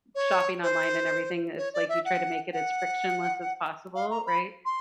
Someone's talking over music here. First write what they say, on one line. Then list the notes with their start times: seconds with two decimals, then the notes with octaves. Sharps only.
shopping online and everything, it's, like, you try to make it as frictionless as possible, right?
0.15 C#5
0.63 C5
1.58 C#5
1.74 D5
1.89 E5
2.05 F#5
2.53 F#5
3.95 F5
4.11 A#5
4.27 B5
4.66 C6